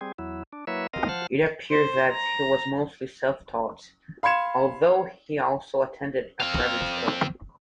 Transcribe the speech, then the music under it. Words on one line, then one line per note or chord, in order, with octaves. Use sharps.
It appears that he was mostly self-taught, although he also attended a private school.
G3 C4 G#4
E2 F#3 E4
D4
F#3 A#3 E4 B4 C#5 E5
C4 A#4 D#5 F5
F3 C5 F#5 A5 F6
C5
A#5
F5 B5 C6 G#6 C#7 E7
C4 F5